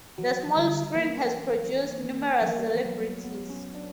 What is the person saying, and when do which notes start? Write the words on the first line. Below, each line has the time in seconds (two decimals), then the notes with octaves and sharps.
The small screen has produced numerous celebrities.
0.18 E3 F#3
0.56 D3 G3
0.95 E3 A#3
2.42 F#3
2.47 E3 A#3
2.58 G3
2.70 A#3
2.85 F#3 B3
3.24 B3
3.50 C#4
3.75 D4